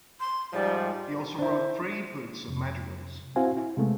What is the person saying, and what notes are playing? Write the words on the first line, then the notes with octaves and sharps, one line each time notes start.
He also wrote three books of madrigals.
C6
G#2 F3 G3 D5
D4 E4 C5
F2 C3
C4 E4 F#4 C5 F5 G#5
E4
C3 G#3 A3 B3